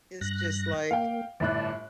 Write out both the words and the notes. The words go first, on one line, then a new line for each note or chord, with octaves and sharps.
it's just, like
G2 F#6 A#6
A#3 F5 G5
G1 A2 D5 A5 F#6